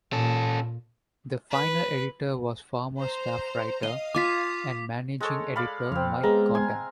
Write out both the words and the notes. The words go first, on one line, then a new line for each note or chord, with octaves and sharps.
The final editor was former staff writer and managing editor Mike Cotton.
A#2 C#4 A4
B4
C5 A#5
D#5 F5 D#6
F4 G#5 D6 B6
G#3 A4 C#5
D5 F5 B5
F2 C4 F5
G#3 B3 A#5
G#5 C6